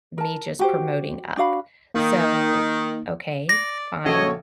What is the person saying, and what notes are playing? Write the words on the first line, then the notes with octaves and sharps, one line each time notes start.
me just promoting up, so, okay, fine,
A#4 A5
F#4 G4 C5
D4 F#4 F5 B5
D#3 A#3 D#4
D5 A#6
A#1 C#3 F#4 A4 C#5 D#5